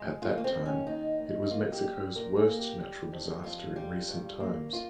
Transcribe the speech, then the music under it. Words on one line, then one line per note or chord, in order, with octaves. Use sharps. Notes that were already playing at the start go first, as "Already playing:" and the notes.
At that time, it was Mexico's worst natural disaster in recent times.
Already playing: G#3
D#2 F4
A#3
C4
D#3
C#4
D#2 D#4
D#2
D#4
A#3 F4
G4
G3
A#2 A#4
G#4
A#3
G4
G3
F2
F2 F4
G3
G2
A#3
F4